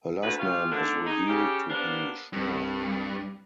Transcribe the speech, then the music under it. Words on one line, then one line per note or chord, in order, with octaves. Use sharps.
Her last name is revealed to be Shaw.
D2 D3 B4
G#3 F4 G4 C#5 F5
G#2 D3 A3 D4
D#4 G#4
C#3 G4
A#3 B3 D4 G4 A#4 C5
C2 G2